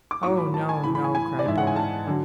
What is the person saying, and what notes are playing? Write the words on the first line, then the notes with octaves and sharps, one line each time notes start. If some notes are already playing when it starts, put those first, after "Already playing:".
'Oh, no, no!' cried Dora.
D6
A2 F#3 C#6
B5
A5
G#5
A2 E3 B5
B5
G#5
G#5
D5
G#2 E3 E5
F#5
G#5
A5
D3 F#3